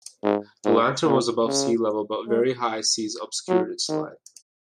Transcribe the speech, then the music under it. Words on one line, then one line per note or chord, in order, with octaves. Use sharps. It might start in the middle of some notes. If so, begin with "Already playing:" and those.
The lantern was above sea level but very high seas obscured its light.
G#2
G#2
A#2
C#3
G#3
F#3
D#3